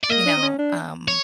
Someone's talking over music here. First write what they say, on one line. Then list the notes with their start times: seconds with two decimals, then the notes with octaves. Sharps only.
you know, um
0.04 D5
0.10 A#3 D#5
0.26 D4
0.37 C4
0.42 C#4
0.59 D4
1.08 C#5